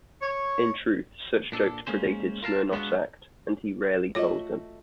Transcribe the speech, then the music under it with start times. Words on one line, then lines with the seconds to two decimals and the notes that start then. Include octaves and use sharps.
In truth, such jokes predated Smirnoff's act, and he rarely told them.
0.21 C#5
1.52 A#2 D4 A4
1.87 G#3 A#3 C#4 C5
2.43 F4 A#4 F5 A5
2.72 G#3 B3 D4 D#4 F4 F#4
4.15 A3 F4 F#4 C#5 D#5